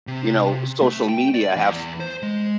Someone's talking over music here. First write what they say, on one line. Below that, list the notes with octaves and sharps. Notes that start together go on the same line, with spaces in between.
you know, social media have s
C3
A3
G5
D5
E2
C5
G#3